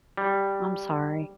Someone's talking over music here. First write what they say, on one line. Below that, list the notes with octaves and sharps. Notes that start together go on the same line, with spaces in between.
I'm sorry.
G3